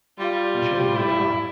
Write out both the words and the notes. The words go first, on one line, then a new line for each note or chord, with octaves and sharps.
I showed him the towel.
G3 F4
E4